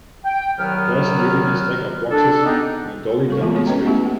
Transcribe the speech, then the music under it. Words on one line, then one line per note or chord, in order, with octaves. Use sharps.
A person wheeling a stack of boxes on a dolly down a street.
G5
C2 D#3 F#3 B3 F6
D4 A4
G#3 B3 C4 D4 D#4
G3 A4 C#6
E3 G#3 A3 B3 F4
A3 B3 C4 F#4 G#4 C#5
C#4 B4 C#5 D#5 G5 A#5
A3 B3 C#4 E4 G4 E5
A#3